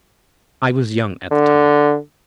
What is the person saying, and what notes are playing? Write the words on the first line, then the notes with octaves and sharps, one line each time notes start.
I was young at the time.
D3